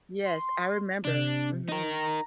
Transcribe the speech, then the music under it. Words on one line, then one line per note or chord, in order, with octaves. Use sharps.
Yes, I remember. Mhm.
C6
C3 D4
D#4 A#4
A#5